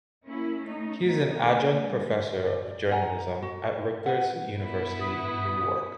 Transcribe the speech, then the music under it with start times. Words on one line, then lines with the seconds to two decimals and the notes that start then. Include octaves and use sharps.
He is an adjunct professor of journalism at Rutgers University–Newark.
0.25 A#3 C#4 E4
0.62 A3 C#4 D#4
1.01 D2 B2 D3 F3 A#3 D#4
1.43 A#3
1.81 D3 G3 G#3
2.47 D5
2.91 F#5 G#5 A#5
3.42 F#4
4.06 B4 F#5
4.59 B3 E4
5.00 D#6